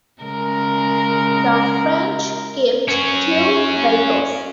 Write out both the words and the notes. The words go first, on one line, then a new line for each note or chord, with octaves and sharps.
The French kept two vehicles.
C#3 G#3 A#4
C#4 F#4